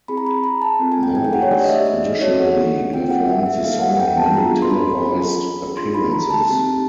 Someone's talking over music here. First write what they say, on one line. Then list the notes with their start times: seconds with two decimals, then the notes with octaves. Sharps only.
Knowles additionally performed the song on many televised appearances.
0.08 C4 E4 G#4 B5
0.17 A#5
0.27 B5
0.44 A#5
0.62 A5
0.80 C4 F4 A4
0.92 G#5
1.03 G5
1.15 G#5
1.25 G5
1.33 F#5
1.42 C#5
1.51 A3 D4 G4 D5
1.64 D#5
1.69 E5
1.86 E5
2.04 D#5
2.21 C#4 F#4 A4 C#5
2.39 F#5
2.93 C4 F4 G#4 G5
3.11 F#5
3.29 E5
3.46 E5
3.59 E5
3.64 A#3 C#4 E4 A4 F5
3.81 F#5
4.00 G5
4.18 A5
4.35 B3 D4 F4 G#4 A#5
4.62 C6
4.71 B5
5.06 C#4 F4 G#4
5.77 D4 F4 G#4 C6
5.94 B5
6.13 A#5
6.31 A5
6.48 C4 D#4 G4